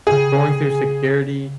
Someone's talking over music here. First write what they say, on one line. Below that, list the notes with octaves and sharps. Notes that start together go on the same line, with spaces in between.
going through security,
C#3 G4 G#4 F5